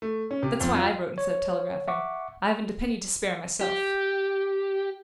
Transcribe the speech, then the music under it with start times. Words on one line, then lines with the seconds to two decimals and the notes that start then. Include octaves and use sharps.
"That's why I wrote instead of telegraphing; I haven't a penny to spare myself!"
0.02 A3
0.31 C#4
0.43 C3
0.60 F2
0.75 F4
1.18 C#5
1.88 E5 F#5 C#6 D6
3.61 G4